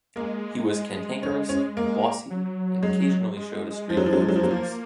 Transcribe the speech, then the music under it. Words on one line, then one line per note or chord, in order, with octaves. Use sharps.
He was cantankerous, bossy and occasionally showed a streak of ruthlessness.
G#3 A#3
C#4
C#4
A#3
F#3
G#3
G#3
F3
F#3
F3
F#3
F3
F#3
F3
F#3 A#3
F3